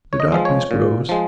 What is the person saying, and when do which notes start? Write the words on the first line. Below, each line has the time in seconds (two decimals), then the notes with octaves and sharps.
The darkness grows.
0.13 C#5
0.20 D#5
0.32 F3 G#3
0.45 C#5
0.71 A#2
1.09 F3 G#3